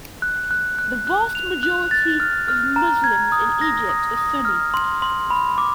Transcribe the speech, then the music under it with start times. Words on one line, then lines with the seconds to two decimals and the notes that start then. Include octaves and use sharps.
The vast majority of Muslims in Egypt are Sunni.
0.22 F#6
0.51 F#6
0.79 F#6
1.07 F#6
1.35 F7
1.63 F#6
1.91 A6
2.20 F6
2.48 F6
2.76 A#5
3.04 G#6
3.32 D#6
3.61 A#6
3.89 D#6
4.17 D#6
4.45 F6
4.74 C6
5.02 C6
5.30 B5
5.58 D6